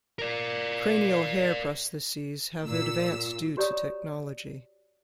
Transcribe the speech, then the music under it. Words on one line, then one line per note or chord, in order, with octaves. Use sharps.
Cranial hair prostheses have advanced due to technology.
A#4 D5
A#2 E6
F#4 G4 C#5 D5 A#5 D#6